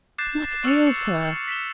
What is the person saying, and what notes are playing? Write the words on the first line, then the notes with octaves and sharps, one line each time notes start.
"What ails her?"
D6 F#6 G6 A6 C7 E7
C#6 E6 F6 A6 C#7 F7
C#7
B6 C#7 E7 G7